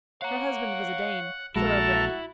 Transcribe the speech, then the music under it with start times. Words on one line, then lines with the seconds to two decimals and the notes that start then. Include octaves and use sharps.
Her husband was a Dane, thoroughbred.
0.22 C#5 F5 F#5 A#5
1.56 A#1 G#3 E4 F#4 A4 A5 A#5